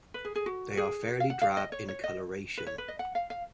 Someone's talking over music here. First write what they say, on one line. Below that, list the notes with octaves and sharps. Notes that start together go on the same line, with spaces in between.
They are fairly drab in coloration.
B4
G#4
G#4
F#4
G#4
F5
F#5
F5
D#5
C#5
C#5
D#5
B4
C#5
B4
D#5
F#5
F5
F5